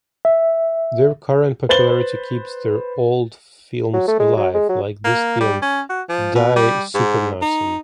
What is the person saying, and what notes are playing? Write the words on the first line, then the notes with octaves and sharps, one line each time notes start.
Their current popularity keeps their old films alive, like this film, "Die Supernasen".
E5
B4 C5 A6 F#7 G7
F#3
A3
G#3
F#3
G#3
F#3
A#3
G3
C#4
F#4
F3
B2
G3
G#2
D#4